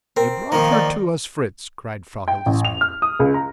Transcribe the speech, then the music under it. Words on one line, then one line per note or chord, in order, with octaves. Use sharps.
"You brought her to us, Fritz," cried Frau Hildesmuller.
C4 A#4
D#3 F3 A#3
D5
G5
A1
F7
F6
D#6
C#2
A#5